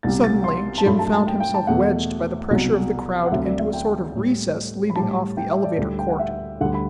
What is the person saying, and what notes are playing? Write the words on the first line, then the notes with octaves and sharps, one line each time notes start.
Suddenly Jim found himself wedged by the pressure of the crowd into a sort of recess leading off the elevator court.
C2 B2 G3 A6
A6
C6
A5
G2 F#3 A3 B5
A5
A5
G5
G5
A5
E2 B2 A3 F#5
C2 B2 F#3
F#5
D2 C3 F#3 E5
D5
E5
G5
A2 G3
B5
A2 G3 A5
G5
E5
D5
D2 D3 G3
G5
F#5
E5
D2 D3 G3 F#5
B5